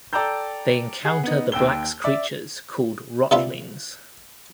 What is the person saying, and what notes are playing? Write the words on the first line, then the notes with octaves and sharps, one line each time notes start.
They encounter the Black's creatures called Rotlings.
A4 D5 G5 A#5 E6 G6
G#4 F#5
B3 D#4
D#2 G5 E6 G7
D5 E5
C3 D4 F4 B4 E5